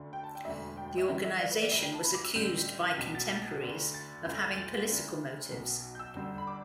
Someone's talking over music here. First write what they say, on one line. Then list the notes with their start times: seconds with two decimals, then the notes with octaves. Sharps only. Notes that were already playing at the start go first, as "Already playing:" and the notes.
The organization was accused by contemporaries of having political motives.
Already playing: D2 D3
0.13 G5
0.24 A5
0.35 G5
0.45 E1 D2 D3 E5
0.77 G5
0.88 G5
0.98 E5
1.08 G1 G2 E3 E5
1.24 E5
1.40 D5
1.51 B4
1.62 D5
1.71 D2 D3 E5
1.83 G5
1.94 A5
2.04 B5
2.14 D6
2.24 E6
2.35 A1 G2 D3 G6
2.98 B1 B2 B6
3.15 A6
3.30 A6
3.63 D2 D3
3.94 A6
4.25 E1 D2 D3 G6
4.42 A6
4.57 A6
4.88 D2 D3
5.52 B1 B2
5.95 G6
5.99 E6
6.16 G1 G2 D3
6.38 B5
6.47 D6